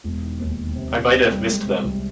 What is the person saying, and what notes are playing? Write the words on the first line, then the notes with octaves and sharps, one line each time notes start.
I might have missed them.
E1
D#3
D#2
D#3
C3
C3
D#3
G3
G#3
C3
C2